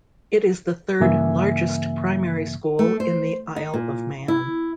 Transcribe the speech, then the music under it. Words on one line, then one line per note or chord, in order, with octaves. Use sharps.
It is the third largest primary school in the Isle of Man.
G2 C#3 E3 A#3 E5 G#5
A3
C5
D#4
A#2
E4